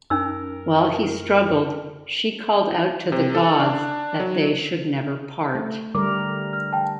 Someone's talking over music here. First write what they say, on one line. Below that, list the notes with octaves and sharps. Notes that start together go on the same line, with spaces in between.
While he struggled, she called out to the gods that they should never part.
F#2 C#4 D#4 A#4 E6
C3
A4
D4
F#3
A3
D3 G3 A#4 D6
F6
G5 A5